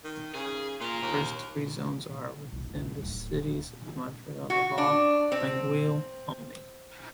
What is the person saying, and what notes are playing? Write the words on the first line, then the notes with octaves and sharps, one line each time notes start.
The first three zones are within the cities of Montreal, Laval and Longueuil only.
D#3
C#3 G#4
A#2 F4 A#4
D#2
B1 F#2
D4
D1 F#3
F#4
D4
C4